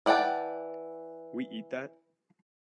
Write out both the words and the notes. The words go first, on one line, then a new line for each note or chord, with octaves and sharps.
We eat that?
E3 D5 F#5 G5 A5